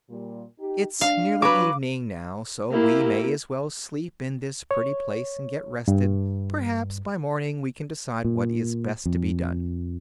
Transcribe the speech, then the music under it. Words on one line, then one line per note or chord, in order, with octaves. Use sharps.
"It's nearly evening, now; so we may as well sleep in this pretty place and get rested; perhaps by morning we can decide what is best to be done."
A#2 G3
D#4 G4
D4 F5
F#3 B4 D6
A#3 E4 G4
C#5
G2
A#2
F2